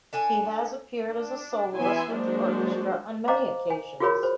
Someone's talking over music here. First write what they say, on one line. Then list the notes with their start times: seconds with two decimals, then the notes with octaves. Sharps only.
He has appeared as a soloist with the orchestra on many occasions.
0.13 D4 A4 G#5
1.09 D4
1.76 E3 B3 E4 E5 G#5 C6
2.13 F#3 G#3 A#3 D4 F#4 C5
3.28 C5 D#5 F5 A#5 D6
3.70 G#5
4.00 F4 F#4 G#4 A#4 C#5 B5
4.23 C5